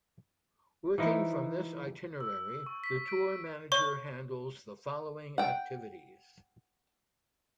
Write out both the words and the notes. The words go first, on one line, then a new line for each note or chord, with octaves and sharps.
Working from this itinerary, the tour manager handles the following activities.
E3 F3 D#4 E4
E6
C#6
B6
D7
C#5 C#6
F#5 G5